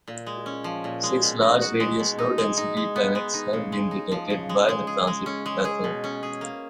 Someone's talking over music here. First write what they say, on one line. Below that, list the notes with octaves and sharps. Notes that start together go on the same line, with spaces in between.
Six large-radius low-density planets have been detected by the transit method.
A#2
G#3
C#4
F3
A#2
G#3
B2
D#4
F#4
G#3
B2
D#4
G#3
D#4
G#3
B3
G#3
D#4
C#3
G#3
D#4
F3
C#3
G#3
G#3
G#4
G#3
C#4
G#3
G#4
B2
C#4
G#4
A#3